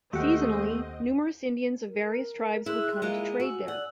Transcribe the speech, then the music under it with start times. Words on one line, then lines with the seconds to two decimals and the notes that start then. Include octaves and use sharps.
Seasonally numerous Indians of various tribes would come to trade there.
0.13 D#2 A3 C4 G4 D#5 F#5
1.85 A#4
2.66 E4 G#4 C6 F#6
3.02 G#3 A#3 E4 F4
3.40 F#4 G#5 E6
3.68 D5 F#5